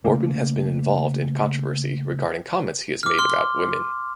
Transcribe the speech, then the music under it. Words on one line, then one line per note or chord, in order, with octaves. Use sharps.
Corbin has been involved in controversy regarding comments he has made about women.
C#3 A3 A#3
D6 F6
C6 F6